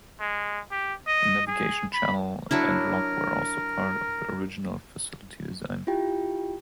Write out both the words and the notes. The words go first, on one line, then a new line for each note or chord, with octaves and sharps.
A navigation channel and lock were also part of the original facility design.
G#3
G4
D#5
G#4
B5
F#3 D4 E4 A#4
E4 F4 G4 G5